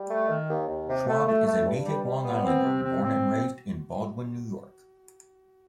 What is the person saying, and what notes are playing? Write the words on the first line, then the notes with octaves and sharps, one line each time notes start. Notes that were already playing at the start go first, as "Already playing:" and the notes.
Schwab is a native Long Islander, born and raised in Baldwin, New York.
Already playing: G3
A3
D#3
D#2
D#2
C3
A3
A3
A3
G2
G3
G3
B3
C4
C3
C4
C4